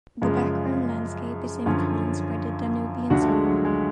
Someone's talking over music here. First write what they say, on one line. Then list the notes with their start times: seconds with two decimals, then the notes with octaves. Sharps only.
The background landscape is influenced by the Danubian School.
0.22 F#2 C#3 F3 G#3
1.66 F#2 D3 F3 C#4 F4
3.10 D2 D3 F3 D4 F#4
3.22 A3
3.28 G#3
3.46 F#3
3.65 G#3